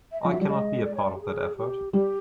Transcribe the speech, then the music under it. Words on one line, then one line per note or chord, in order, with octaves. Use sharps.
I cannot be a part of that effort.
E5
F3 D#5
F#3 E5
G3 D5
G#3 D#5
D5
C#5
D5
G4
G#4
G4
G3 G4